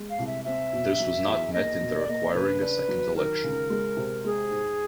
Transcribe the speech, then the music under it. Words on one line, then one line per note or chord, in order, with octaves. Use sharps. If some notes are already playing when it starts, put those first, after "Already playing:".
This was not met in the requiring a second election.
Already playing: G#3
F5
C2
E5
C4 E5
B2
F#3
E2
A#3 D#5
B2
D5
A#3 D#5
C#3 B4
D4
F#3
D#3 A#4
C#2
G#3
C3
G#3 G#4
G#2